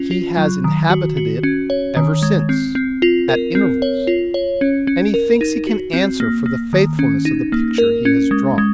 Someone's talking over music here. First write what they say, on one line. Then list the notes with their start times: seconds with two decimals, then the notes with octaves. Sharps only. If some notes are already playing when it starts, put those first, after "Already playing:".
He has inhabited it ever since, at intervals; and he thinks he can answer for the faithfulness of the picture he has drawn.
Already playing: C#4 F4
0.11 F4
0.37 F#3
0.64 D#3
0.90 F#4
1.17 F#4
1.43 C#4
1.70 C#5
1.97 D#3
2.23 G#3
2.49 C4
2.75 C4
3.02 F4
3.29 A#4
3.55 C4
3.82 C#5
4.07 F4
4.34 C#5
4.61 C#4
4.87 C#4
5.14 A#4
5.41 D#4
5.67 F#4
5.93 C4
6.20 A#3
6.46 A#3
6.73 D#3
6.99 C#4
7.25 D#4
7.52 A#3
7.78 A#4
8.05 C#4
8.31 G#3
8.58 G#3